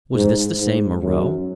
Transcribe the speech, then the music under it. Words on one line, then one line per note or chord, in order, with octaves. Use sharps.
Was this the same Moreau?
G#2
G#2
F#2